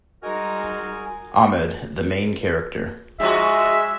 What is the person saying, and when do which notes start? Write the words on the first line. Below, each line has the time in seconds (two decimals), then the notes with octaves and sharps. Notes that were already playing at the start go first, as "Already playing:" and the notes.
Ahmed: The main character.
0.23 G3 G#3 D#4 F#4 G#4 A#4 D#5 G#5
3.20 G#2 F3 G#3 F#4 E5